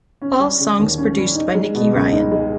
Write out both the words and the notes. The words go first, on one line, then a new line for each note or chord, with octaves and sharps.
All songs produced by Nicky Ryan.
C#4
G3
C#3
D#2
C#4
G3
D#4
G#3
B2
C#2
D#4
G#3